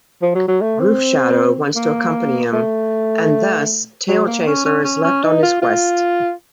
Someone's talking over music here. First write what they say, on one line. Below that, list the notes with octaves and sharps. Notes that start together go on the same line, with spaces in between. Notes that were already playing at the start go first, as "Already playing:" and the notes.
Roofshadow wants to accompany him, and thus, Tailchaser is left on his quest.
F3
F#3
F#3
A3
C4
A#3
A3
F#3
A#3
C#4
C#4
C#4
C#4
D#4
F4
F4